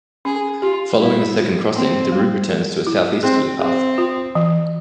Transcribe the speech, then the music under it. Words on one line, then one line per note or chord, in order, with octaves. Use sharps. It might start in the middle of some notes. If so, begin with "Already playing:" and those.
Following the second crossing, the route returns to a southeasterly path.
C#4 G#4
F4 G4
G3 E4
F4
A#3 C4
G3
A#4
E4
C4 G#4
C4 G#4
F4
E3